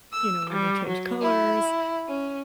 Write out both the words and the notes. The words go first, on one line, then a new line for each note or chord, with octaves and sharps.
you know, when they change colors
E6
G3
F#3
E4
C#4